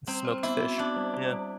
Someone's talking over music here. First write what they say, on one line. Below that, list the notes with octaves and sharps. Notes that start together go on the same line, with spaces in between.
Smoked fish. Yeah.
G3 C4
C5
B3 E4
F#4
B3 D4
G3
G3
G3